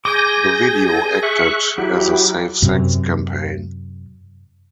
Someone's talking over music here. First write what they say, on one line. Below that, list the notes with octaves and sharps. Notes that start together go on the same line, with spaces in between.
The video acted as a safe sex campaign.
G#4 G#5 D6 G6 A#6
E5 C#6 F#6
F#3 E4 F#4 G4
F#2 C3